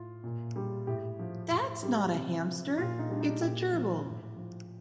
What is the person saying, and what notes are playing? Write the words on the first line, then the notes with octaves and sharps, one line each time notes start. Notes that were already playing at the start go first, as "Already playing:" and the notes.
That's not a hamster, it's a gerbil.
Already playing: A2 F4
A#2
G3
A2 G4
F3
A2
G3
C3
F3
A#2 F4
D#4
G3 D4
D#4
A#2 G4
F3
A2
F3